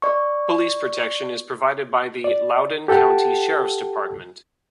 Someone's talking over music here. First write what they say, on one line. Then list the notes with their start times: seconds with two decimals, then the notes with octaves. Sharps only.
Police protection is provided by the Loudoun County Sheriff's department.
0.02 D5 C#6
2.24 D5
2.88 G4 A4 F#5 G5 A5